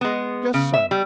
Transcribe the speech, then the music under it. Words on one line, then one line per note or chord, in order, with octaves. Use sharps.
"Just so."
G#3 B3
C#3
E5
G3